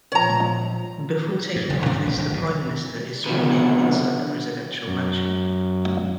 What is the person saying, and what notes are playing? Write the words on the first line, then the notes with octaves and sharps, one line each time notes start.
Before taking office, the prime minister is sworn in inside the Presidential Mansion.
A#2 F3 C#5 A#5
G#2
F#1 B2
G2 C3 D4
F1 A#1
F1 D#2 D3
G1 B2
C#2 B2 D3 F3 B3
F#2